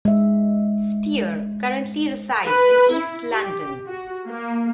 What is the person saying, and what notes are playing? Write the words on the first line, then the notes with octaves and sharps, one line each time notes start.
Steer currently resides in east London.
G#3 E5
B4
E4
G4
F#4
A#3